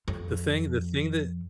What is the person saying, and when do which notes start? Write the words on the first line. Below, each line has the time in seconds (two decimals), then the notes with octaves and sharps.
The thing the thing that
0.08 F2